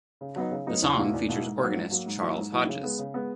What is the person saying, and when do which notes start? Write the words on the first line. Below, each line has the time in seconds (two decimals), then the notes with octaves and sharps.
The song features organist Charles Hodges.
0.21 C#3
0.36 F#3 B3 D#4
0.51 C#3
0.67 F#3 B3 D#4
0.82 E2
0.98 B2 A#3 E4
1.13 E2
1.28 B2 A#3 E4
1.44 G#2
1.59 F#3 A#3
1.75 G#2
1.91 F#3 A#3
2.06 G#2
2.21 F#3 A#3 E4
2.36 G#2
2.52 F#3 A#3 E4
2.68 C#3
2.83 G#3 B3
2.99 C#3
3.14 G#3 B3